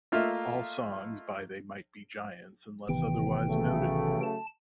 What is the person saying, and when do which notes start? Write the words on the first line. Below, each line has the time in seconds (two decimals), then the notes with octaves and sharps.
All songs by They Might Be Giants unless otherwise noted.
0.12 A3 A#3 F4 A#4 D#5 E5
2.89 A1 C3 D#3 E3 B3 G5
3.48 C#3 F#3 A3
4.23 A5